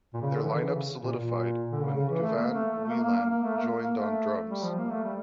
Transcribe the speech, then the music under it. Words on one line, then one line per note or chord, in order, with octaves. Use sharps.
Their line-up solidified when Gavan Whelan joined on drums.
A#2
C#3
D3
E3
D3
E3
C#3
A#2
A#2
D3
C#3
C#3
E3
A3
A#3
A3
A3
A3
A#3
A#3
A#3
A#3
A3
A#3
A#3
A3
G3
F3
A#3
A3
G3